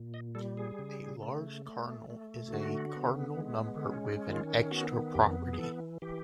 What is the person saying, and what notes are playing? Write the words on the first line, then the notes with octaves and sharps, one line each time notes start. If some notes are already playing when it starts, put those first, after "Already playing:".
A large cardinal is a cardinal number with an extra property.
Already playing: A#2
D#5
G3 A4
G#4
C#3
A3
A3
A3
D3 F#4
B3
G#3
C#4
D#3 F4
B3 F#4
F2 G4
G#4
E3 A4
E3 G4